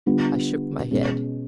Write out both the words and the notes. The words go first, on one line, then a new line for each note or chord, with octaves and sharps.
I shook my head.
D3 G3 B3 D4 F4
B2 G#3 C#4